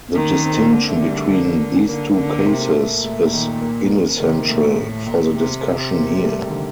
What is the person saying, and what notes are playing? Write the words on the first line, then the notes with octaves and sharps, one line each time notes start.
The distinction between these two cases is inessential for the discussion here.
D#3 A#3
C4
D3 A#3
A3
G3
A3
A#3
D3 A#3
D3 A#3
A3
C3 A#3
A3
A#2 A3
A3
D#3
A#3
C3 D#3
A#3
A#2 A3
A2
A#2
C3
A#3
G3
A3
D#3
D3